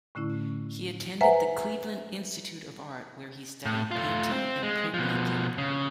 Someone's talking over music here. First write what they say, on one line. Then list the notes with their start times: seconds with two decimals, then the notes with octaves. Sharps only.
He attended the Cleveland Institute of Art, where he studied painting and printmaking.
0.15 A2 D3 A3 C#4 E4
1.21 B4 C5 E5 F#5 G#5 A#5
3.65 A2
3.91 A3 F4
4.31 C4
4.63 G#3
4.94 B2 F3
5.58 C#3